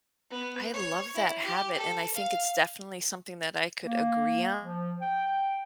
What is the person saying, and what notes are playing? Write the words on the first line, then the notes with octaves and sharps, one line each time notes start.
I love that habit, and I think it's definitely something that I could agree on,
B3
C#5
E4
G4
A4
F5
A#3
F3
G5